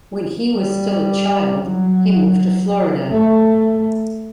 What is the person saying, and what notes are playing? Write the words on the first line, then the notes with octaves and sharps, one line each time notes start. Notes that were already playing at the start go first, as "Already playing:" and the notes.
When he was still a child, he moved to Florida.
G3
F#3
A3